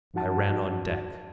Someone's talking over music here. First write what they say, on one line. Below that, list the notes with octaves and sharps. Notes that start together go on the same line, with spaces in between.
I ran on deck.
G2 F3 D#4 F#4 F#5 A5